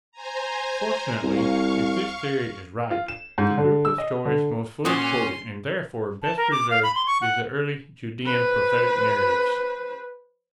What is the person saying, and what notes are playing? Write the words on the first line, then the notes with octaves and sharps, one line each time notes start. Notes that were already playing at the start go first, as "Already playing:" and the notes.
Fortunately, if this theory is right, the group of stories most fully quoted and therefore best preserved is the early Judean prophetic narratives.
C5 G#5 A#5
C2 F5 C#6
F4
E7
G#2
D3
E6
D#5
D3
A#2 C#4 F4 F#4 C6 D6 D#6
A5
A#4
D6
F5
B5
C6
C#6
F#5
B4 C5